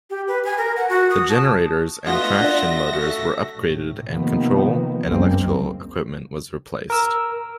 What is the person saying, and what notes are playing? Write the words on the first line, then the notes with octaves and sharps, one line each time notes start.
The generators and traction motors were upgraded and control and electrical equipment was replaced.
G4
B4
G#5
A#4
F#5
F#4
D#6
A5
A3 B3 F4 F#4 D#5 E5 F#5 A#6
D4 D5
A3 F#4
A2
C3 D#3 F3 A#3 B3
F#1 C#2 F#2 G#3 A#3 C4
A#4 E6